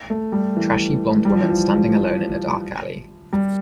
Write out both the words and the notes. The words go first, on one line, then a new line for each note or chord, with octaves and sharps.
Trashy blond woman standing alone in a dark alley.
A3
G3
E3
G3
F3
E3
F3
G3